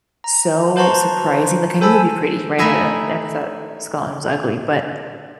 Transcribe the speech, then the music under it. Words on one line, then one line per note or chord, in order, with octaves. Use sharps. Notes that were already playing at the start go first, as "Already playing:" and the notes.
so surprising, like, I knew it'd be pretty, right? I n never thought Scotland was ugly, but
A#5
B4 C5 A5 A#5 C6 C#6
A4 C5 G#5 A5 B5 E6
A3 D#4 E4 D#5 E5 G#5